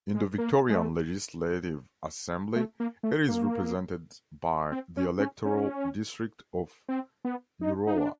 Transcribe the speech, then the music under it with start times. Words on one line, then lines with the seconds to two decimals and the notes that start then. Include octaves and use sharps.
In the Victorian Legislative Assembly, it is represented by the Electoral district of Euroa.
0.15 G#3
0.38 A#3
0.70 G#3
0.75 A3
2.56 A3
2.80 A#3
3.03 A3
3.28 A#3
4.72 C4
4.97 C#4
5.20 C#4
5.45 C#4
6.88 C4
7.25 B3
7.61 D#4
7.87 D#4
7.98 D4